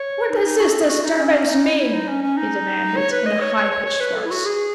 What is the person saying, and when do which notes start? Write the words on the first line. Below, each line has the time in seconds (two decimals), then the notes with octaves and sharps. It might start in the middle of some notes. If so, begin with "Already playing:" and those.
"What does this disturbance mean?" he demanded in a high-pitched voice.
Already playing: C#5
0.30 D#4
0.45 D#4
0.60 F#4
0.70 A4
0.80 G#4
0.89 F#4
1.04 D#4
1.19 C#4
1.49 D#4
1.64 E4
1.78 E4
1.93 D#4
2.08 C#4
2.23 C#4
2.37 D#4
2.97 C#5
3.12 B4
3.26 D#5
3.41 C#5
3.56 C#5
3.71 C#5
3.86 C#5
4.00 B4
4.16 A4
4.25 E4
4.31 F#4
4.45 G#4